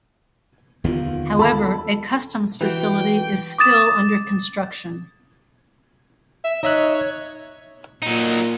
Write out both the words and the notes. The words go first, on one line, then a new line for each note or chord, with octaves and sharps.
However, a customs facility is still under construction.
D#2 D3 D#3 B3 F4
A4 A5 B5
E3 F#4 G4 B4 G5
D6 D#6 A6 E7
E5
D#4 C#5 D#5 E5 F#6
A#2 F#3 D#4